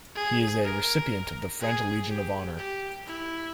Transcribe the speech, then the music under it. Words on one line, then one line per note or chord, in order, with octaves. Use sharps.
He is a recipient of the French Legion of Honor.
G#4
A#4
G#4
G4
G4
E4